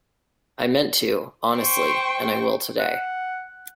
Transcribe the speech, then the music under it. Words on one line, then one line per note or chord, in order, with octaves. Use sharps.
I meant to, honestly, and I will today.
C5 G5 C#6
F#5